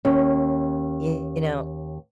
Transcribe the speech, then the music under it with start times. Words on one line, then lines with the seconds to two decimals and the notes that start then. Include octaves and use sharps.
you know
0.05 D#2 C#4